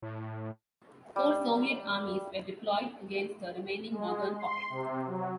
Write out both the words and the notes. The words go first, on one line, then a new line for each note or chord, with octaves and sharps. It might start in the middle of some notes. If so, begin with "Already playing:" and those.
Four Soviet armies were deployed against the remaining northern pocket.
A2
G3
G#3
C6
C3
F#3